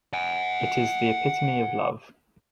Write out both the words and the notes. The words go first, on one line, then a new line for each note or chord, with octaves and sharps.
It is the epitome of love.
F#5 G#5